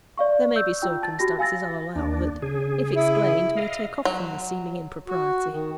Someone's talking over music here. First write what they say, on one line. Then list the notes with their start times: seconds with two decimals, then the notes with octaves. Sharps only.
There may be circumstances, I'll allow, that, if explained, may take off from the seeming impropriety.'
0.18 D5 F5 C#6
0.56 E6 G6
0.82 F4 G5 E6
1.03 A5 A6
1.19 F#4 G4 A#6
1.39 F5 G#5 E6 A6 A#6
1.96 D#2 D4
2.42 C#3 G#4
2.96 E4
3.57 D#5 F5
4.05 F#3
5.08 F#4
5.50 D#3